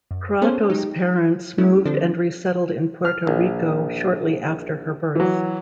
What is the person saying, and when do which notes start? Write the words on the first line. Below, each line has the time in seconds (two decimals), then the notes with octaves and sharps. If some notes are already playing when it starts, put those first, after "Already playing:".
Croatto's parents moved and resettled in Puerto Rico shortly after her birth.
0.11 F#2
0.42 B3 C#4 G#4 A4 C5 C#5
0.69 F#3 G#3 D#4 G4
1.58 F#3 G#3 A3 C#4 E4
1.85 D3 F3 C4 D4 A4
3.05 F6
3.27 A#1
5.15 E3 F#3